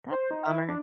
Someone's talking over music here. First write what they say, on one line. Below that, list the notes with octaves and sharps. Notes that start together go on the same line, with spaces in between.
That's a bummer.
C5
D#4
E4
D4